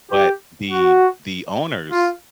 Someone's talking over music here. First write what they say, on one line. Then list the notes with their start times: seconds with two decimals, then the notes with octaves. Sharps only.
but the the owners
0.10 G4
0.70 F#4
1.89 F4